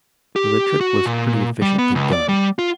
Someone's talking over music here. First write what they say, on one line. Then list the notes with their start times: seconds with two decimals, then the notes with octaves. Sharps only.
For the trick was pretty efficiently done.
0.36 G4
0.81 F#4
1.06 A#2
1.62 G3
1.78 B3
1.95 C#2
2.13 D5
2.29 G3
2.59 F4